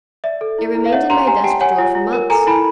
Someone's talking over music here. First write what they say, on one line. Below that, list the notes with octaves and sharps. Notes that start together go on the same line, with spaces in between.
It remained in my desk-drawer for months.
D5 E5
A4
E4
E4
F5
C#5 E5 F#5
G4 A#5 C6
G4 G#5 A#5
G4 G5 A5
C#5 F#5 G#5
F4
F4
A#4
A4 G#5 A#5
E4 A5 B5